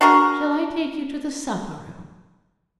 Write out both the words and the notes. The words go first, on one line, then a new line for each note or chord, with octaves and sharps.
Shall I take you to the supper-room?'
D4 F#4 G#4 A#4